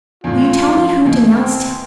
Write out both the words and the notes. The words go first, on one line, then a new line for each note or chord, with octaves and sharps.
"Will you tell me who denounced him?"
E2 A2 F4
F#2 F3
D#2 B2 E3
C4